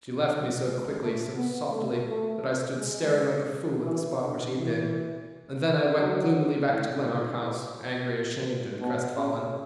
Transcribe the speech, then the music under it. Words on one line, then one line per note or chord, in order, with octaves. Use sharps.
She left me so quickly, so softly, that I stood staring like a fool at the spot where she had been, and then I went gloomily back to Glenarm House, angry, ashamed and crestfallen.
F#3
G#3
A3
B3
A3
A3
G#3
E3
D3
E3
F#3
A2
G#2
A2
B2
C#3